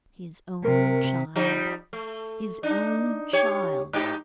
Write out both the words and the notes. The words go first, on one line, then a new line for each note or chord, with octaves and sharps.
His own child, his own child!
C3 A#4
F3 G3 D#4
A3
D4 D#4
G4 C#5
G#2 D#4 G4